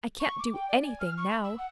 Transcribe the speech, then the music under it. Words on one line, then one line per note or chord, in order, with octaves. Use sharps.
"I can't do--anything, now."
C#6
D6
G5
D5
G#5
F6
C#6
B5
E6
F#5